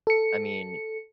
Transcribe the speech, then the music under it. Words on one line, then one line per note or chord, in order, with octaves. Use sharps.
I mean,
A4 C#7